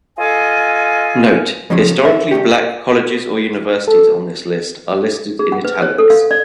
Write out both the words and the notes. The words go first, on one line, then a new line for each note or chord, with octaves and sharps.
Note: "Historically black colleges or universities on this list are listed in italics".
F4 A4 D#5 F5 G#5
F2 C#3 F3 F#3
E5
C2 A#2 F#4 G4
A4
G#4
F#5
B4
C#5
A4
F5
D5